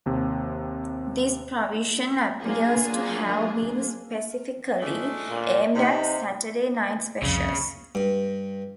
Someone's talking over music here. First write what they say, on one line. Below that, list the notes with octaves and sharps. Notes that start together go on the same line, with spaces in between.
This provision appears to have been specifically aimed at "Saturday night specials".
D#2 C3
F#3 A#3 D4 F4 G#4
G#3 A3 D4
A#2
C3 D#4
C2 F2 C#3
G2